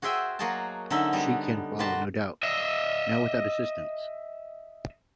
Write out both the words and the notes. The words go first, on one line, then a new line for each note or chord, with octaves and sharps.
She can follow, no doubt, now without assistance.
F#4 G#4 C5 E5 G5 G#5
F#3 A#3 F#4 G#4 D#5 A5
D3 F#3 C#4 D#4 E5
G3 B3 F#4
F#4 G4 B4 C5 A5 A#5
D#5 E5